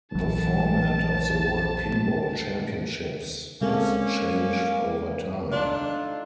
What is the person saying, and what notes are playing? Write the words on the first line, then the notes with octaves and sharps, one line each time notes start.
The format of the World Pinball Championships has changed over time.
A#1 E3 F#3 A5
G#3 A#3 C4 C#4 A4
D4 D#4 F4 A4